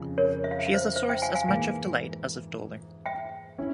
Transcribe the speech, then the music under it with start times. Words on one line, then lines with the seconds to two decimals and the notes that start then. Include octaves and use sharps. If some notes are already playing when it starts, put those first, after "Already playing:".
She is a source as much of delight as of dolour.
Already playing: F2 C#3 C4
0.18 A#4 C#5
0.44 E5
0.51 F5
0.59 E5
0.67 F5
0.74 C5 E5
0.96 C5 E5
1.09 E5 G5
1.22 F5 G#5
1.35 F5 G#5
1.49 G#2 E3 A#3 F5 G#5
3.06 E5 G5
3.58 C#4 E4